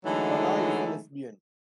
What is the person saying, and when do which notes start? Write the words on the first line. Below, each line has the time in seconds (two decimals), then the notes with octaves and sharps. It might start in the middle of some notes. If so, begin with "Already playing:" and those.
Banai is a lesbian.
0.05 D3 E3 F#3 G#3 A3 D#4